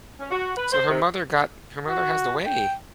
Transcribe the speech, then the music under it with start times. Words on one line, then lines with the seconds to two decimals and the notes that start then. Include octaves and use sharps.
So, her mother got her mother has the way.
0.18 C#4
0.30 F#4
0.56 B4
0.72 C5
0.88 C3
1.89 F#4
2.46 G5